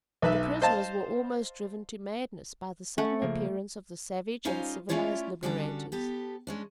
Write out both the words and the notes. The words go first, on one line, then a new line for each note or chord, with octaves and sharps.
The prisoners were almost driven to madness by the sudden appearance of the savage and civilized liberators.
B1 B4 E5
C5 D#5 F5 A5
A3 C#4 F#5
C#3 F3 A#3
G3 C#4 D#4 F4 C5 F5
A3 C#4 E4 F4 C#5 D5
D3 G3 C#4 D4 F#4 A4
B3 G4 A4
G#3 C#4 D4